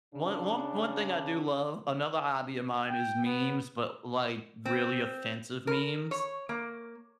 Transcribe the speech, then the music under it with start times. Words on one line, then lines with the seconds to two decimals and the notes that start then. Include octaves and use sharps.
One one one thing I do love another hobby of mine is memes, but, like, really offensive memes.
0.14 C#3 D4
2.89 G5
3.25 B3
4.65 C4
5.67 A#4
6.11 C#5
6.49 A#3